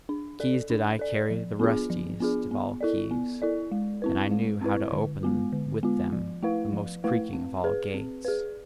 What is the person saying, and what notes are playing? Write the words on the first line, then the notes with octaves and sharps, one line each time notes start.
Keys did I carry, the rustiest of all keys; and I knew how to open with them the most creaking of all gates.
D4
A4 D5
D4
A4 D5
F3
B3 D4 F4 G#4
F3
B3 D4 F4 G#4
B3
E4 A4 D5
B3
E4 A4 D5
G#3
C4 E4 B4
G#3
C4 E4 B4
D3
G#3 B3 F4
D3
G#3 B3 F4
F3
A3 E4 B4 F5
F3
A3 E4 B4 F5
C4
G#4 B4
C4
G#4 B4